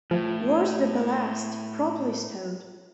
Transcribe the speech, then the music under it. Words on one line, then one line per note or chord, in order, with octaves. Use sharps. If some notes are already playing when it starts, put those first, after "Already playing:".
Was the ballast properly stowed?
A2 F3